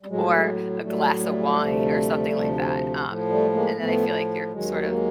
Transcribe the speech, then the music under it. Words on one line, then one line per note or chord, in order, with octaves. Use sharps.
Or a glass of wine or something like that, um, and then I feel like you're sort of
G3
A2 F#3 G#3
G#3
A2 F#3 G3 A3
G3 A3
D2 C3 F3
D2 C3 F3
A2 F3
G3 A3
G#3 A#3
A2 F3 A3 B3
D#2 D#3 F#3 G#3
A3
G#3 A#3